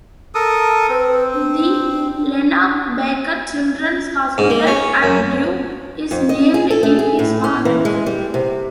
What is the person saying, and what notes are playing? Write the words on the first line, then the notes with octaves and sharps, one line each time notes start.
The Lenox Baker Children's Hospital at Duke is named in his honor.
A4 A#4 D#6
C4 B4
D4
G#2
A#3
C#4
F#2
F2
D#5
G#4
A4
A3
G#4
A2
C#4
E3
G#3
G3
C3